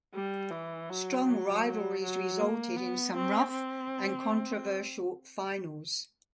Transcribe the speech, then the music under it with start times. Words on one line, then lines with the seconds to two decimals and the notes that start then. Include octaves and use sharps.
Strong rivalries resulted in some rough and controversial finals.
0.14 G3
0.51 E3
0.90 F#3
1.27 F#3
2.02 F#3
2.39 A#3
2.76 B3
3.15 C4
3.52 C4